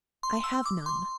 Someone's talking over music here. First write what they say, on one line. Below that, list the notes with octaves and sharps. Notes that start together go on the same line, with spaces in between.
"I have none."
C6
E6
D6
C6